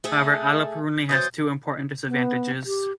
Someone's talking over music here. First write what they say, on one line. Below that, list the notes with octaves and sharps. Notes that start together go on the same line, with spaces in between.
However, allopurinol has two important disadvantages.
A3 G#4 A4
E3 F#3 C5 D#6 G6 A6
B3
G4